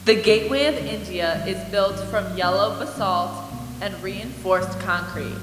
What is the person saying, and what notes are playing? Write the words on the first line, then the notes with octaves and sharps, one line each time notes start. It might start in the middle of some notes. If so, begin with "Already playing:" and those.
The Gateway of India is built from yellow basalt and reinforced concrete.
Already playing: F#2
D#2 C#3 G#3 C#4
D#2 C#3 G#3 C#4
G#1 G#2 D#3 F#3
G#1 G#2 D#3 F#3
G#2 D#3 G#3 C#4
G#2 D#3 G#3 C#4
C#2 B2 A#3
C#2 B2 A#3
G#1 G#2 F#3 A#3
G#1 G#2 F#3 A#3